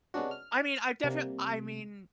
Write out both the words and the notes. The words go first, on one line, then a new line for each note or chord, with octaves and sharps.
I mean, I def I mean,
C3 G#3 B3 C#4 D4 F#4
F6
C3 G3 A#3